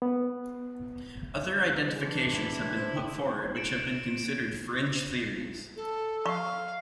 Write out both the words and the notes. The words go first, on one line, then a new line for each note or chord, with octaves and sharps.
Other identifications have been put forward which have been considered fringe theories.
B3
E3 D4 G#4 C6
E4
C5 G6
C4 G5 D6
C#7 D7 E7 F#7
A4
F5 C#6